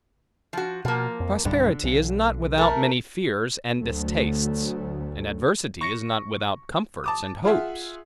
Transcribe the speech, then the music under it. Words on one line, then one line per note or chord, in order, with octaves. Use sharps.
Prosperity is not without many fears and distastes; and adversity is not without comforts and hopes.
F3 F#4
B2 F3 A#3
F2
B1 G2 D3 G3
B1
A3 A#4
D2 F#3 A3
C#6 A#6 C#7
A5 D6 D#6
F4 G#4 E5 F#5